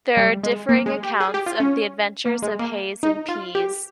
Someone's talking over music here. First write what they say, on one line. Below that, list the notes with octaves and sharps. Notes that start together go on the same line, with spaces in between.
There are differing accounts of the adventures of Hayes and Pease.
G3
G#3
A#3
G#3
G4
G#4
G4
F4
C#4
A#3
G#3
A#3
D#4
F4
G4